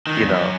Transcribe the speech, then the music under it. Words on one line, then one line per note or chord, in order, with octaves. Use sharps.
you know?
D#3
E2
F#2